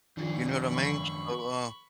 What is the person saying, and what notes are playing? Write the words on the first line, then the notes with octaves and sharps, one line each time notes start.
you know what I mean? So, uh,
F#2 D#3 F3 D4 G#4
B5 C#6